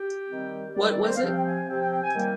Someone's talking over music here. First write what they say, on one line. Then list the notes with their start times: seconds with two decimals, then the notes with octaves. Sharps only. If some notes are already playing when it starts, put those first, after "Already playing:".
What was it?
Already playing: G4
0.28 D#3 G3 C4
0.75 D#3 G3 C4 D5
0.91 D5
1.02 A#4
1.07 C5
1.16 F5
1.22 C3 F3 C4 G5
1.36 G5
1.45 G#5
1.67 C3 F3 C4 G5
1.79 G5
1.91 G5
2.04 G#5
2.14 D#3 G3 A#3 G5